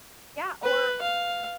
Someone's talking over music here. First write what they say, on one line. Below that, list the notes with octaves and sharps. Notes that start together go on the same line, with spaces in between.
Yeah, or
B4
F5